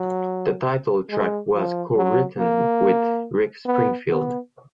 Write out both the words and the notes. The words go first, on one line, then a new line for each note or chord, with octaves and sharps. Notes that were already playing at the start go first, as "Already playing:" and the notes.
The title track was co-written with Rick Springfield.
Already playing: F#3
G#3
F3
F#3
A#3
B3
B3